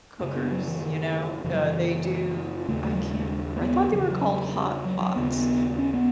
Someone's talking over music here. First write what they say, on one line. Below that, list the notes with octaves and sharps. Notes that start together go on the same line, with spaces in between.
cookers, you know? Uh, they do I can't remember. I thought they were called hot pots.
F#2 C#3
B3
F#3
E3
D#3
F#2 C#3 E3
F#3
E3
D#2 C#3 A3
A3
F#3
G#3
G#3
A3
B3
E2 C#3 F#3
E3
F#3
F#3
F#3
D#2 C#3 B3
B3
C#4
B3